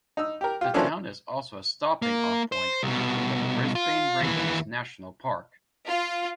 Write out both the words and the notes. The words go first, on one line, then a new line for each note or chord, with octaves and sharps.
The town is also a stopping off point for the Brisbane Ranges National Park.
D#4 E6
G4 A#4
F4 G4
E3 F3 A#3 C#4 D4 A4
A#3
C5
C2 B2
F4
D#2 E3
F4